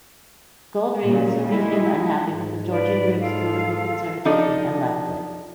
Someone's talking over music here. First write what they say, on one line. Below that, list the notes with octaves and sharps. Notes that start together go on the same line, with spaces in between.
Goldring soon became unhappy with the Georgian Group's political conservatism and left it.
A#2 C#3
G3 G#3 D#4 E4
G#2
B4 D5
F4 A4 F5
F3 D4 D#4 A4